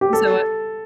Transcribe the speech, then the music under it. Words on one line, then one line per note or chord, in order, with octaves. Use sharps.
You say what?
G4
A4